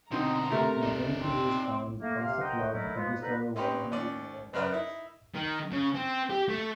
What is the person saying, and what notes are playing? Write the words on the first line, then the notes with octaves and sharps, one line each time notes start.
In twenty years time the Comstock Lode produced over one hundred million dollars.
B2 D3 C4 D#4 A#5
C3 A3 A#4
D#4 D5
C4
A3 A#3
C3 F5
A#4 C5 D#5 F#5 G5
D3 D#3 F#3 A3 E4 A#4
F3 G#3 B3
D3 B3 D#4 A4 B4 A#5
C4 C#4 D#4 G4 B4
D#2 C#4 D5
F#2 C#3 A#4 B4 F#6
D#4 E4
D#3
C#3
C4
G4
A3